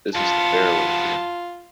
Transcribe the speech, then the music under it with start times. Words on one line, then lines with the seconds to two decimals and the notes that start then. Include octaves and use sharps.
This is the Faraway Tree.
0.15 F2 B3 F4 A5